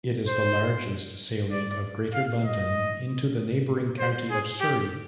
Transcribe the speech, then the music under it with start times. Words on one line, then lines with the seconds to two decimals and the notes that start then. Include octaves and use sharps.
It is the largest salient of Greater London into the neighbouring county of Surrey.
0.27 C5
1.51 D5
2.14 F5
2.44 D#5
3.99 C5
4.30 G#4
4.61 G4